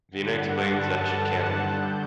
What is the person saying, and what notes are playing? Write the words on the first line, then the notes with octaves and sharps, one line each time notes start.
Vina explains that she can't leave.
G2 D3 F#5
A5
F#6
G2 D3 G6